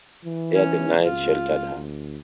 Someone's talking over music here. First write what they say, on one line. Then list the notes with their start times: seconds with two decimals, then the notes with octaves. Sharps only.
There the knights sheltered her.
0.25 E3
0.55 C#4
1.05 C#2 F4
1.75 D2